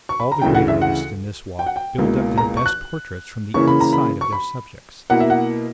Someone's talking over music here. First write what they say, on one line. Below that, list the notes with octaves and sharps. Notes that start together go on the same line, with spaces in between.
All the great artists in this walk build up their best portraits from the inside of their subjects.
C#6
B5
A#5
D2 C#3 E3 G5
F#5
E5
F#5
G5
F#5
G5
C#2 B2 A#3 E4
A#5
C#6
F#6
C#3 E3 A#3 C#4 E4 C#6
B5
A#5
B5
C#6
B5
B2 A#3 E4 F#5
E5
F#5